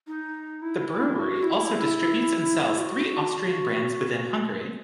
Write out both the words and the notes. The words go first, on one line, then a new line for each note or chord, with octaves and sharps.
The brewery also distributes and sells three Austrian brands within Hungary.
D#4
E4
F#4
E4
F#4